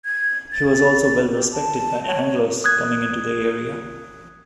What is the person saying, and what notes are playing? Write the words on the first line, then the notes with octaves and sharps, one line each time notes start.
He was also well respected by Anglos coming into the area.
G#6
A6
G4
A5
C#5
D#6 F#6 G#6